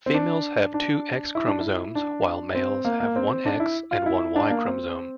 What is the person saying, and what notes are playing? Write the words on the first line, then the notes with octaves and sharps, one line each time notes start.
Females have two X chromosomes, while males have one X and one Y chromosome.
C4
D4
D4
E4
D4
E4
D4
C4
A#3
A#3
C4
D4
E4
F4
E4
D4
A#3
C4